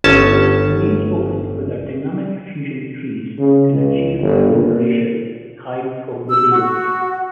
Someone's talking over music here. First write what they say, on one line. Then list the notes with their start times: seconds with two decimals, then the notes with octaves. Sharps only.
It remains open whether dynamic fusion trees can achieve per operation with high probability.
0.04 G1 C#4 A5
3.38 C#3
3.72 C#2
4.21 G1
4.50 A#2
6.28 E6
6.52 F#4